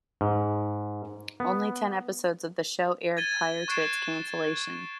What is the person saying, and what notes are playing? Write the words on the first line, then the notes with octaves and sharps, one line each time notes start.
Only ten episodes of the show aired prior to its cancellation.
G#2
B3
G#6 A6 D#7 G7
C#6 F#6 A6 C7 D7 E7